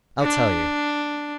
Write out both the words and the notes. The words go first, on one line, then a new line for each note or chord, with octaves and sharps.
I'll tell you.
D4